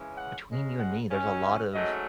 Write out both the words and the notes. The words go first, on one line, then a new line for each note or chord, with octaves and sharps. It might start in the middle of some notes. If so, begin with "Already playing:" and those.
between you and me, there's a lot of
Already playing: C#3 E3 G#3 C#4
F#5
C#3 G#3 C#4
F#5
D#3 F#3 C#4
E5
G#2 F#3 A3 C#4 D#5